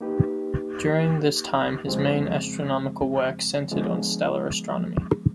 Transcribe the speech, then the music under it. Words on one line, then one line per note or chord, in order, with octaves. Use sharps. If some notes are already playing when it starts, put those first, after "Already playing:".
During this time his main astronomical work centered on stellar astronomy.
A#3 D#4 G4 B4
F2 C#3 F3 G#3 C4
D3 F3 G#3 B3